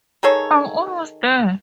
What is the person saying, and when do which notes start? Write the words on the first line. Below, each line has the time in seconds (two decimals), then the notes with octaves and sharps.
I'm almost there.
0.23 D#3 G#4 A4 C#5